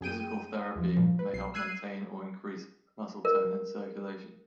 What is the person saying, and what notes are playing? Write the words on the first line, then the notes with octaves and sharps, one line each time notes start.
Physical therapy may help maintain or increase muscle tone and circulation.
F#2 G#4 G5 D#7
E2 F3
G2 A#2 F3
B4
B1 C7
E6 F#6 G#6 C7 D#7
A#4